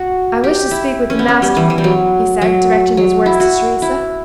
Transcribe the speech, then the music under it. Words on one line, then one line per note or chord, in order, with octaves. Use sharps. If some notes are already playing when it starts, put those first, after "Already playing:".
"I wish to speak with the Master," he said--directing his words to Teresa.
Already playing: F#4
G4
E4
C#4
B3
C#4
G3
E3
E3
G3
F#3
F#3
F#3
E4
F#4
E4